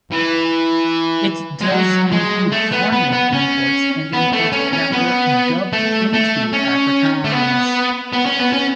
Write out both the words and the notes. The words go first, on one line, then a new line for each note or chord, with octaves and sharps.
It does include foreign-made imports and imports that were dubbed into Afrikaans.
E3
G#3
F#3
G#3
A3
B3
B3
B3
C#4
B3
A3
C#4
C#4
B3
A3
A3
C#4
A3
B3
B3
C#4
B3
C#4